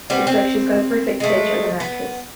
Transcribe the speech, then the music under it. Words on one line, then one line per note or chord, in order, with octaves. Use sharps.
It's like she's got a perfect pitch as an actress.
G3 B3 C4
C4
G#3 A3
B3